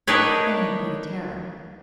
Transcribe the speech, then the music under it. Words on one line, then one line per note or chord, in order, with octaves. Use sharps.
Then he'd be a terror.
D4 D#4 A#4 B4 C#5